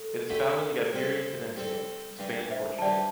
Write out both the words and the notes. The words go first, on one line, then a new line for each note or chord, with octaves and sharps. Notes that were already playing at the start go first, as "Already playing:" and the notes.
It is found in the Iberian Peninsula: Spain and Portugal.
Already playing: A4
D3 A3 E4 G4
G3 C4 A4 C5
G3 C4 A4
G2 E3 G3
C5 E5
A5
G2 E3 G3 D5 G5